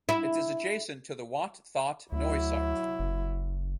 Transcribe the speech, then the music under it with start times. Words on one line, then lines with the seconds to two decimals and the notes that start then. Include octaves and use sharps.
It is adjacent to the Wat That Noi site.
0.09 E4
2.12 D2 F#3 E4
2.99 F#1